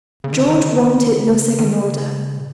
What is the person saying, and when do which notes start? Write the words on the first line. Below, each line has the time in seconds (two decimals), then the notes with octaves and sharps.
George wanted no second order.
0.24 C#3
0.33 D#3
0.41 C#3
0.50 D#3
0.58 C#3
0.68 D#3
0.76 C#3
0.85 D#3
0.93 C#3
1.02 D#3
1.10 C#3
1.59 D#3
1.70 C#3
2.37 A#2